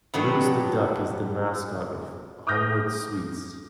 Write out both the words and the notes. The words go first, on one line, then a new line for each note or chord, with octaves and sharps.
Lewis the Duck is the mascot of Homewood Suites.
A2 D#3 F#3 B3 D4 A4
D6 D#6 F6 G6 A#6